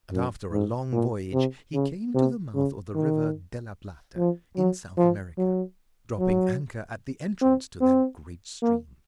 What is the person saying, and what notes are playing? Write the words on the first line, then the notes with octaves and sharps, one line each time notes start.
And after a long voyage he came to the mouth of the River de la Plata in South America, dropping anchor at the entrance to that great stream.
F#2
G#2
A#2
C3
C#3
C3
C#3
D#3
F3
F#3
F3
F#3
F#3
C4
C4
A#3